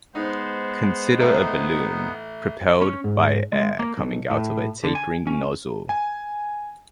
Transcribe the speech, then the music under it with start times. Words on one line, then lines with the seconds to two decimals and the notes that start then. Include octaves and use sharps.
Consider a balloon propelled by air coming out of a tapering nozzle.
0.15 G#3 B3 D#4 C5
1.20 A1 D#4
2.82 C#4
3.04 G#2
3.53 G#3
3.79 A#3
3.97 B1
4.30 A2
4.84 D3
4.95 G#5
5.27 C#4
5.89 G#5